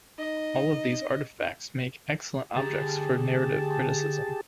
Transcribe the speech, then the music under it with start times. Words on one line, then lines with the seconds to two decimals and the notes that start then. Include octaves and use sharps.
All of these artifacts make excellent objects for narrative criticism.
0.19 D#4 D#5
2.56 D2 G4 G#4 A5 A#5